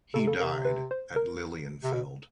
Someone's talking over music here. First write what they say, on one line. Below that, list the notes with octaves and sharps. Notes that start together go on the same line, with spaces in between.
He died at Lilienfeld.
C#3 A4
C3
C#3 A4
C3 A#4
B4
C5
A#4
C3
B2